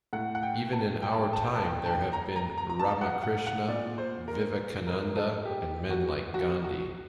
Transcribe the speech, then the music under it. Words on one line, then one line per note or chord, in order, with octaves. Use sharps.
Even in our time there have been Ramakrishna, Vivekananda, and men like Gandhi.
A2 F#5
F#5
G5
A5
G5
A5
G5
A5
G5
A5
G5
A5
G5
A#5
A#5
A#5
A#5
A5
F#5
F#5
F#5
A#2 D5
C5
A#4
A#4
A4
G4
F#4
F#4
F#4